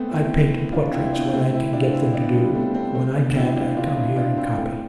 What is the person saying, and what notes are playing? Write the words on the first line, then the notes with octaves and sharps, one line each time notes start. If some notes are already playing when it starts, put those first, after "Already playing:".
'I paint portraits when I can get them to do; when I can't, I come here and copy....
Already playing: A3 B3 C4
C4 E4
D4 F4
C4 E4
B3 D4
A3 C4
C4 E4
D4 F4
C4 E4
B3 D4
G3 B3
A3 C4
A3 C4
A3 C4
B3 D4
C4 E4
D4 F4
D4 F4
C4 E4
D4 F4
C4 E4
A3 C4